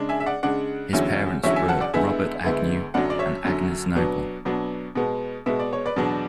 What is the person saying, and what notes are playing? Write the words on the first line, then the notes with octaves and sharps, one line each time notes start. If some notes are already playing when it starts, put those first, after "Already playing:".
His parents were Robert Agnew and Agnes Noble.
Already playing: C#3 G#3 D4
E5 G#5
E5
D5 F#5
C#3 G#3 D4 D5 F#5
E2 D3 F#3 C#4 E4
E2 D3 F#3 C#4 E4 C#5 E5
E5 G#5
F#5 A5
D5 F#5
D2 D3 G#3 B3 E4 E5 G#5
D2 D3 G#3 B3 E4
F#2 D3 F#3 D5 F#5
D5
C#5 E5
F#2 D3 F#3
B2 F#3 B3 D4
B2 F#3 B3 D4
B2 G#3 B3
B2 G#3 B3 E5
D5
C#5
B4 D5
E2 B2 F#3 B3 D4